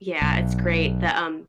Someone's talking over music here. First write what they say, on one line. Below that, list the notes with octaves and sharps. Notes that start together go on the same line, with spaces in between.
Yeah, it's great. The, um,
B1